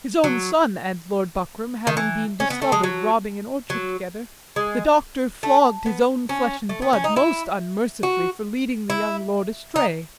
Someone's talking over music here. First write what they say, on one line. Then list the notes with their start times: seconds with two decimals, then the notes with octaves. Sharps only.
His own son and Lord Buckram having been discovered robbing an orchard together, the Doctor flogged his own flesh and blood most unmercifully for leading the young Lord astray.
0.24 F#3
1.87 D#3
1.97 E3
2.40 C#4
2.50 B3
2.62 A3
2.72 G#3
2.84 F#3
3.70 F#3
4.56 G#3
5.43 A3
5.86 B3
6.29 C#4
6.69 A3
6.82 B3
6.93 C#4
7.04 D#4
7.16 E4
8.03 F#4
8.90 E4
9.76 D#4